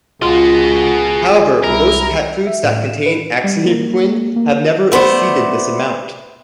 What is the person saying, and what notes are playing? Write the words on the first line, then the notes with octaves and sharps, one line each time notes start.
However, most pet foods that contain ethoxyquin have never exceeded this amount.
C#2 F4 F#4 G#4 D#5
C2 E4 A#4
E5
A2
E7
B4
G3
A#3
A#3
A3 B3 C5 D5